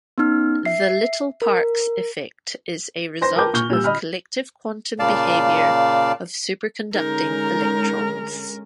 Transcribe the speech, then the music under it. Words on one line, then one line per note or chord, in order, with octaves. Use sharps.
The Little-Parks effect is a result of collective quantum behavior of superconducting electrons.
B3 C#4 D#4 F6
E5 C7
A#4
B4 C5 C6 A#6
A#4 B4 G5 A5 D6 G6
A#2 C#6 F6 G6 G7
A#2 G3 E6
D#5 B5 F6
A#2 C#3 D5 F5 A5
D3 G#3 C#4 D#4 A#4